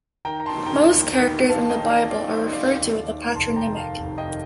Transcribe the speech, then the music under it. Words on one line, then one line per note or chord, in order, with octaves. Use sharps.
Most characters in the Bible are referred to with a patronymic.
D#3 G5 A#5
A#5
A5 C6
D#3
G5 A#5
D#2
D#3
D#3 F5 A5
A5
D#5 G5
D#3
D5 F5
D#3 D5 F5
C5 D#5
D#3
D#5
D5 F5
D#2
D#2
F1 A5 C6
G5 A#5
D#3
F5 A5
F1
D#5 G5
D#3